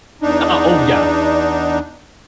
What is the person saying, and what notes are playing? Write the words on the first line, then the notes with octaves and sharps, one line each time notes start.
Uh, oh yeah,
E2 D4 D#4